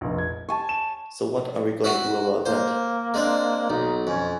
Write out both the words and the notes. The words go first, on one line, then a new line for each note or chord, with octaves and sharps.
So what are we gonna do about that?
F1 A#1
G#6
C#5 G#5 A5
E7
E4 F#4
A#3 C5
G#3 C4 D4
B1 D#4
F2 C#4